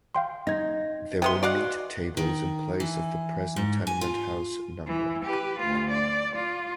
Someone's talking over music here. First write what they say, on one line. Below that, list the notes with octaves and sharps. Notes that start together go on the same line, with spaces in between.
There were meat tables in place of the present tenement house no.
F5 G5 C6
D#4 G#6 A#6
C3 B3 B4 G5 C6
F#4 D5 D#5 F5 F#5
D#3
E3
G#2
G#5
F4
E3
G4 B4
D2 F4
D5
F4